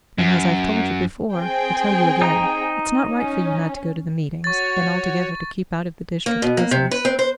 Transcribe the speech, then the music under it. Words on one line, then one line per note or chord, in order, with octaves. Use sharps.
And as I've told you before, I tell you again: it's not right for you not to go to the meetings, and altogether to keep out of the district business.
F#2
C4 G#4 G5
D#4 A#5
C#4
F#4 C#5 C#6 A6
A#3
B2
A#3
C3
B4
C4
C5